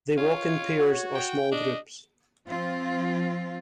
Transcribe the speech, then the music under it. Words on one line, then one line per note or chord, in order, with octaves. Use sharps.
They walk in pairs or small groups.
F4 C#5
F#4
G5
D4 D#5
F3 C4 F4